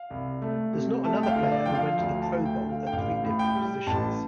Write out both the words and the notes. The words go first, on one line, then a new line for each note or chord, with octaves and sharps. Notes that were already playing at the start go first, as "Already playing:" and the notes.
There's not another player who went to the Pro Bowl at three different positions.
Already playing: F5
C2
A3
C3
A3 A5
G5
F5
D3
D5
F3 G5
F5
D2 F5
A5
A3
G5
D3
F5
G5
A1 F5
A2
G5
G3
A1 A5